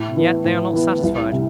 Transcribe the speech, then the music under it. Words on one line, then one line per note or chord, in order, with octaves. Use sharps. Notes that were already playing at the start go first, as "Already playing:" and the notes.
And yet they are not satisfied.
Already playing: A2
E3 B3
A2
E3 B3
C2
C3